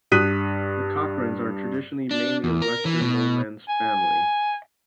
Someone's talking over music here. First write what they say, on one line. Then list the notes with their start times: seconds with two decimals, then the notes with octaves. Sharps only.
The Cochrans are traditionally mainly a Western Lowlands family.
0.12 G2 D#6 F#6 B6 D#7
2.11 D4
2.44 E2
2.62 A#4
2.85 E3
3.01 B2
3.69 G#5